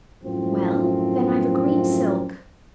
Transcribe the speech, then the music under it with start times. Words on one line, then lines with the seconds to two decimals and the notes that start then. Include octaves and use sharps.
'Well! then I've a green silk.
0.24 F#2 A2 F3 C4